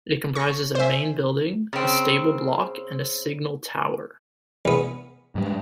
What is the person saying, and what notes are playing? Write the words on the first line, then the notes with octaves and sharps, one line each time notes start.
It comprises a main building, a stable block and a signal tower.
A4 C#5 C#6 A#6
A#4 C5 D5 E5 G#5
C#3 C4
E2 B3
G#2 G3